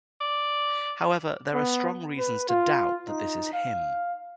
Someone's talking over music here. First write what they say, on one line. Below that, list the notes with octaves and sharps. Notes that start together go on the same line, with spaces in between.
However, there are strong reasons to doubt that this is him.
D5
B3
B4
F4
D#4
F5